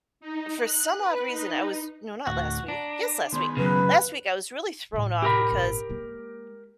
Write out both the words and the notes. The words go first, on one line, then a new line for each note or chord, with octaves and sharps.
for some odd reason, I was no, not last week yes, last week. Last week, I was really thrown off, because
D#4
F#6
B4
D#4
D2 A2 F#4
D4 A#5
D#3 G#3 B3 C6
F#2 C#3 B4
A2 G#3
G4 A#4 B5
G#1 A#2
G#3 A#3